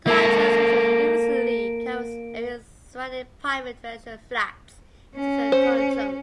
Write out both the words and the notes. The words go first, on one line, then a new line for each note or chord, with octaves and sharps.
Tung Chung Central loosely covers area surrounding private residential flats in central Tung Chung.
A#3 A4
C#4
C5